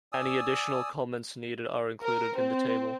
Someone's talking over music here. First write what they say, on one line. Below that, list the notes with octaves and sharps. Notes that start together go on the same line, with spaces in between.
Any additional comments needed are included in the table.
D5 G#5 D#6 E6
A#4
C4